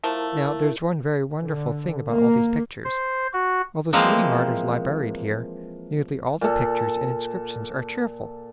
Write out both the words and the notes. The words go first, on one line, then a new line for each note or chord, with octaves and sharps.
Now, there is one very wonderful thing about all these pictures: although so many martyrs lie buried here, nearly all the pictures and inscriptions are cheerful!
F3 A3 E4 A#4
D3
A#3
C5
F#4
E3 F3 G#3 A#3 C4
A#2 A4